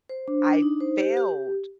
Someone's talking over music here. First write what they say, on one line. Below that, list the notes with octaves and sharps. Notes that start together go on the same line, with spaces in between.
I failed
C5
D4
D4
D#4
C5
G4
G4